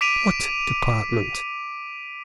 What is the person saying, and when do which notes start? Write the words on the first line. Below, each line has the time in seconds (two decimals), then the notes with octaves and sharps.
"What department?"
0.01 D6 B6 D7 D#7 F7